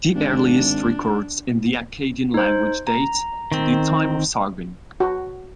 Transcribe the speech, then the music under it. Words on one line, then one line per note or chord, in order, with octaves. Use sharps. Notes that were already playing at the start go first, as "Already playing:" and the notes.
The earliest records in the Akkadian language date to the time of Sargon.
G#1 D4
D#4 C5
A#5
D#3 C4
F#4